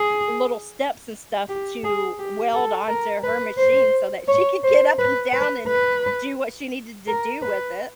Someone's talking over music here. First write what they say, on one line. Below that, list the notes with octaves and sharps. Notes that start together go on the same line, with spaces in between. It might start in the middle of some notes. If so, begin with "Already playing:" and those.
little steps and stuff to weld onto her machine so that she could get up and down and do what she needed to do with it.
Already playing: G#4
G4
G#4
G4
A4
A#4
B4
C5
C#5
C5
B4
B4
B4
A#4
B4